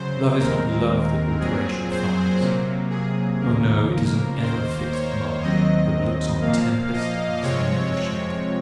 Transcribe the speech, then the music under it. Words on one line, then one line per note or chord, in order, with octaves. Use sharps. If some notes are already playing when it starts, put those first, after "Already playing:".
"Love is not love that alteration finds: Oh no! it is an ever-fixed mark, That looks on tempests and is never shaken."
Already playing: F#2 C#3 F#3 C5
D#2 D#3 G#3 C4 A#4
A#2 F#3 C4 G#4
C5
C3 F#3 A#3
G#4
D#2 C#3 F3 A#3 A#4
D#2 D#3 A#3 C5
C#5
D#2 D#3 F#3 C4 D#5
A#2 F3 A#3 F5
D#5
C3 F3 G#3 C4 C#5
C#5